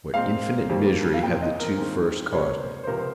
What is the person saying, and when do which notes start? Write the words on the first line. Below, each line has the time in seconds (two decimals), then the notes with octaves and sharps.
What infinite misery have the two first caused me!
0.14 A#2 G#3 C4 F5
0.69 F2 D#3 G3 A#3
1.14 F5
1.23 C2 A#2 F3 C4 G5
1.42 D#5
1.60 A#4
1.78 D#2 D#3 G#3 C4
2.33 C#2 C3 G3 A#3 C#5
2.59 C5
2.83 C5
2.87 C#2 C3 F3 A#4
2.99 C5